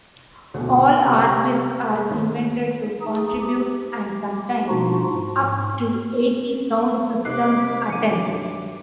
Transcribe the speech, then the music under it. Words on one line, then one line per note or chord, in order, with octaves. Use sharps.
All artists are invited to contribute and sometimes up to eighty sound systems attend.
D2 B2
C3 A#3
G#3
D#2
D#4 G#4
G4
B2 F3 D4 D#4 F4 F#4
G#2
C3 D#4 B5 D6 F#6 C7
G2 D#3 F#3 D6 C#7 D#7